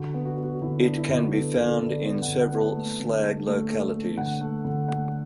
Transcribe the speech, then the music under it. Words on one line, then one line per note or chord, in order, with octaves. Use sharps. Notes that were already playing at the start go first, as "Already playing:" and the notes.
It can be found in several slag localities.
Already playing: D3 F#4
B3
F#4
B3
F#4
D3 E4
D4
B3
E4
D3
F#4
B3 A4
D3
A4
D3
D5
B3
F#5
D3
F#5
B3
A5
A3
D3
A3
A3
A3
A3
D3 F#5
A3
D3
A3 F#5